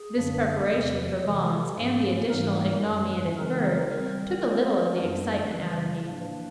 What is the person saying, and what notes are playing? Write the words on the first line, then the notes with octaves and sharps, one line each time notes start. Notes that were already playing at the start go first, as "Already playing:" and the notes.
This preparation for bonds, and the additional ignominy it inferred, took a little of the excitement out of me.
Already playing: G#4
F#2 D3 F#3 A#3 D4
E2 C3 F3
C3 E3 G#3 A4
G#2 F3 A#3 C#4
G#2 E3 G3 A#3 D#4 A#4
F#2 D#3 G3 B4
C#3 E3 G#3 C4 D#4 A#4
D#3 G3 C4 A#4
D#3 F#3 A3 C#4
F#2 D#3 G3 B3 D4
C#3 E3 G3 B4
A2 F3 A#3 D4